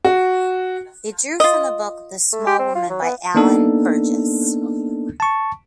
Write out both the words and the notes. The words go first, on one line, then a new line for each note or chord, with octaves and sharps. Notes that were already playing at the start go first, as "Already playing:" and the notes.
It drew from the book "The Small Woman", by Alan Burgess.
F#4
F4 D#5
A3
G4
C4
F4
F#3
B3
A#3 B3 D4 D#4 A4
A5 C#6